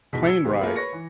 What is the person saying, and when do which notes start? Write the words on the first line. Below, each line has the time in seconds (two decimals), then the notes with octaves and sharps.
a plane ride,
0.13 E2 G#2 B2 B6
0.27 E6 G#6
0.44 C2 D#3 G3 G#3 B3
0.60 A3 A#3 F4 G#4 B4
0.76 B4 C#5 C#6 A#6 C#7
0.93 E3